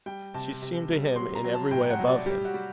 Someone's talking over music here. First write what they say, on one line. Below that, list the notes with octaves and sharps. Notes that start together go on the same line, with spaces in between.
She seemed to him in every way above him.
G3 G5
C3 A5
C3
G3
F#3 C6
A#5
F#3
A5
A2 G5
F#5
F#3
D5
G3 G4
F#4
G3